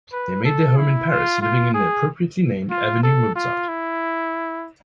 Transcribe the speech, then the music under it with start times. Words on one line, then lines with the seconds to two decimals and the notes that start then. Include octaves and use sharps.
They made their home in Paris, living in the appropriately named Avenue Mozart.
0.12 B4
0.44 A4
0.77 E4
1.09 F4
1.41 F4
1.74 G#4
2.71 F4
3.03 A4
3.35 F4
3.68 E4